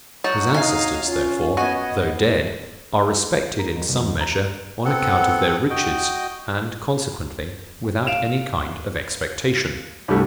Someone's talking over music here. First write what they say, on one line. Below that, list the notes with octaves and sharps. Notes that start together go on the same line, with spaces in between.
His ancestors, therefore, though dead, are respected, in some measure, on account of their riches; and consequently, without any kind of expectation.
F#3 D#4 F#4 A5
D#4 D#5 F5 G#5
C#4 F4
B3 F#4 D#5 G#5
A#4
F2
C2
E2
A#5
B3 C4 A4 F#5
F#4 D#5 G5
F5 D7 E7 F7
C2 G2 G3 A3